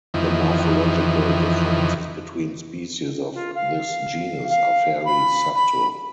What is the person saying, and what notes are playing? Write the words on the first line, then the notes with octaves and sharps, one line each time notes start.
The morphological differences between species of this genus are fairly subtle.
F2 D#3 E3
F4
F5
F5
B5
B5